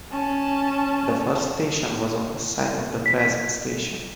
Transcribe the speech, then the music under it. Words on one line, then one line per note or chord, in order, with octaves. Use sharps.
The first station was on the site of the present station.
C#4 A5
B6